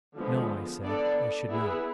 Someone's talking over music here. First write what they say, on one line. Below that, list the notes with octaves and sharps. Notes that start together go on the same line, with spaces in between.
No, I said, I should not.
D3 F3 G#3 B3
B3 D4 A4 D5
B3 E4 G#4 B4